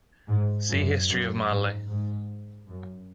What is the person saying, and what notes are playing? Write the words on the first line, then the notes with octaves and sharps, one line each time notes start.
See history of Malle.
G#2
F#2
F#2
G#2
G#2
F#2